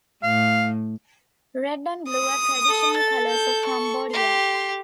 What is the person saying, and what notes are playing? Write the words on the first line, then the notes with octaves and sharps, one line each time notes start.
Red and blue are traditional colours of Cambodia.
A2 F5
D#6
A4
A6
G6
C#6
G4 C6